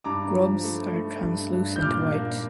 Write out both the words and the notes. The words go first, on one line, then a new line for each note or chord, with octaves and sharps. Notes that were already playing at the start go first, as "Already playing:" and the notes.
Grubs are translucent white.
G2 A#5 D6
F3
A3
A3
G2
G2
G6
A#2 D6 F6
A#3